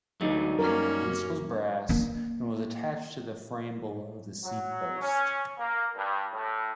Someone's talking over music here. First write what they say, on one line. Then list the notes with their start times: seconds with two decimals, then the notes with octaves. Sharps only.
This was brass and was attached to the frame below the seat post.
0.21 D2 F#3 G3 D#4
0.59 F#2 A#3 C#4 A#4
1.89 A#3 D4
4.43 F#3
5.01 C#4
5.57 A#3
5.95 G2
6.33 A2